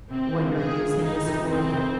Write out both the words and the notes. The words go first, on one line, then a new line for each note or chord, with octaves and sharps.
when you're using this tool?
C3 C4
G#3 F4 A#4
C3 G#4
G#3 F4 A#4
F1 D#4
F2 C3
F1 C4
F2 C3